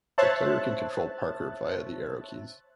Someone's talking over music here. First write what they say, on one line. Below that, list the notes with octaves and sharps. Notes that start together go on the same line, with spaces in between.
The player can control Parker via the arrow keys.
C5 C#5 E5 A5 F#6 A6